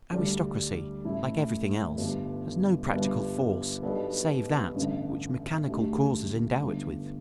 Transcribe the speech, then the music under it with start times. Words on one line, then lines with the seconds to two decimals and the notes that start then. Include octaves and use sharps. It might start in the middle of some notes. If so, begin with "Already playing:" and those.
Aristocracy, like everything else, has no practical force save that which mechanical causes endow it with.
0.12 D2 D3 G3 D4
1.05 A1 A2 E3 A3 E4
1.97 G1 G2 G3
2.90 G1 G2 G3 B3
3.82 B1 B2 B3 D4 G4
4.75 A1 G2 D3
5.68 D2 D3 A3 G4
6.61 G1 G2 D3